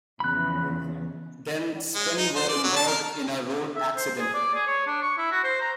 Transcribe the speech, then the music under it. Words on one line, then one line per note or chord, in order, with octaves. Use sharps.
Then, Sp!n were involved in a road accident.
E2 C#3 F3 B5 F#6
G#3
D#4
C5
D5
F#3
A5
A#4
E5
C5
G#4
D5
G#4
C#5
D4
C#6
E4
F#4
C5
A#5